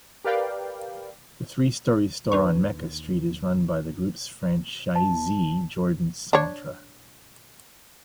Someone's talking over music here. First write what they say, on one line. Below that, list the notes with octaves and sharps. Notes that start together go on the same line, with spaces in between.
The three-storey store on Mecca Street is run by the group's franchisee Jordan Centre.
G4 A#4 B4 D5 F5 G5
D#2 D4 B4 C#6
A5
D4 C#5